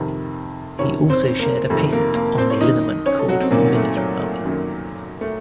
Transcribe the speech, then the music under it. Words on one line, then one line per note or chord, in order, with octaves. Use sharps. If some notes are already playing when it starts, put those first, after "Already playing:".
He also shared a patent on a liniment called Minute-Rub.
Already playing: F2 C3 D#3
F2 C3 D#3 C#4 C#5
C4 C5
A#3 A#4
F2 C3 D#3 A3 A4
A#3 A#4
A#3 A#4
C4 C5
C#5
F#2 D#3 D#4 D#5
C#4 C#5
A4
F#3 F#4
C4
F#2 A#2 D#3 A#3
A3
F#3
A3
F#2 D#3
A3